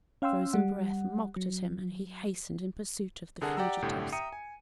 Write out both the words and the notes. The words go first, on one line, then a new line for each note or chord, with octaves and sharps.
The frozen breath mocked at him, and he hastened in pursuit of the fugitives.
C#4 F5 G5 C6 E6
G3 F#5
F#3
C2 D3 G#4 A#4 F#5 A5
G4 D5 F#5 G5 A#5 E6
G1 C2 A2 D3 G4
E5 G5 A#5 D#6 C#7 D#7
G#5